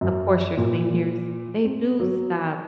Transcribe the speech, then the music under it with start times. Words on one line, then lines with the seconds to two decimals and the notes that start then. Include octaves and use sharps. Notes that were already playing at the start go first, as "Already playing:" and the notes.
of course, your seniors, they do stop
0.01 F#2
0.57 A#2
1.65 C4
2.00 F#3